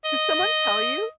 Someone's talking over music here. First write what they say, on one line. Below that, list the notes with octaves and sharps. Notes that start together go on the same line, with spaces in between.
Did someone tell you,
D#5